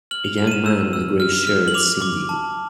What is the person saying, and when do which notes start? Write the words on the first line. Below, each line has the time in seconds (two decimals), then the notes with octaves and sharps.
A young man with a gray shirt singing.
0.11 F6 F#7
0.25 F7
0.38 F6 F7
0.47 D#7
0.51 E7
0.66 E6 E7
0.93 E6
1.20 F6
1.47 F6
1.68 F#7
1.74 D6 F7
2.02 D6
2.29 A5